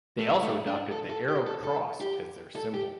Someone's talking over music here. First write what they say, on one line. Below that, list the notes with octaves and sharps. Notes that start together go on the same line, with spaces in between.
They also adopted the Arrow Cross as their symbol.
A3
A3
D4
A4
A4
G4
A4
A4
G4
A4
G4